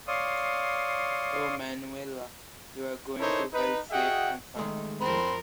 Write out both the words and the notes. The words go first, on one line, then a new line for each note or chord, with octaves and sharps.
Oh Manuela, you are going to hell safe and sound.
C#5 D5 F5 C6 D#6
D#4 E4 A4 A#4 C5 C#5
D#4 B4
F#4 G#4 D#5 E5 F#5 G5
D#3 G#3 A3
F2 F3 C4 A#4 B5 C6